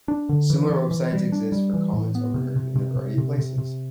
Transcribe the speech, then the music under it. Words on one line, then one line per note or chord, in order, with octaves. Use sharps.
Similar websites exist for comments overheard in a variety of places.
D4
D3
E3
E3
E3
G3
D4
G3
E3
A2
B3
C3
C3
C3
C3
C3
C3
C3